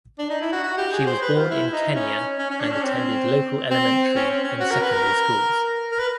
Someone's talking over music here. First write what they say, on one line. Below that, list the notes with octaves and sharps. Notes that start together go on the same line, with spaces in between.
She was born in Kenya and attended local elementary and secondary schools.
D4
D#4
E4
F#4
F#4
G4
G#4
C5
B4
F4
E4
D#4
C#4
C#4
C#4
D4
C#4
C4
C4
C#4
C4
C#4
F#4
A#4
B4
A#4
A#4
B4